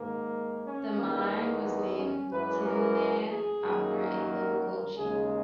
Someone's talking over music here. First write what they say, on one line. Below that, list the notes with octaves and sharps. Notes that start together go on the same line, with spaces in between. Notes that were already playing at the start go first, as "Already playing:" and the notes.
The mine was named Timnah after a Biblical chief.
Already playing: G#2 D#3 A#3
C#4
E2 D#3 A#3
A#3
B3
C#4
F#2 E3 G#3 B4
A#4
G#4
F#2 D#3 F#3 A#3
A#4
A#4
D#2 C#3 G#3 G#4